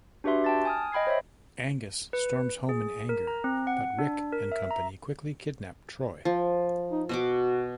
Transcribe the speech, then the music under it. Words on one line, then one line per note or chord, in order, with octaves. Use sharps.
Angus storms home in anger, but Rick and company quickly kidnap Troy.
D4 F#4 G4 B4 E5 C6
G5 A5 A6
G#5 D#6 F6
D#5 G5 B5 G#6 C7
C5 C#5 D#5 E5
B4
G#4
A#4
A#5
C4
F#5
D4
A#4
E5
A#5
F3
D#4
B2 F#4 F#5 D6